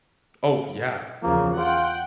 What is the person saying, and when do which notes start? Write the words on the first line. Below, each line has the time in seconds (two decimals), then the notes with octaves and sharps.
Oh, yeah.
1.23 E2 C#3 F3 A#3
1.58 F4 F#5 G5